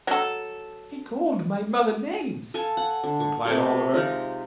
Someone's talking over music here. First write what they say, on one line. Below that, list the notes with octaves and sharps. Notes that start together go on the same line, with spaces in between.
'He called my mother names,' replied Oliver.
F#3 A4
A4 F5 G#5 A5
F#5
D3
C#6
C3 A3 G4
G#3 D#4 F4